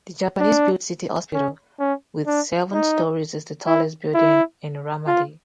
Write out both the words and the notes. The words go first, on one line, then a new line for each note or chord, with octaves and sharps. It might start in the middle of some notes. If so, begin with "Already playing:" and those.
The Japanese-built city hospital, with seven storeys, is the tallest building in Ramadi.
D4
C#4
C#4
D4
D#4
E4
E4
F4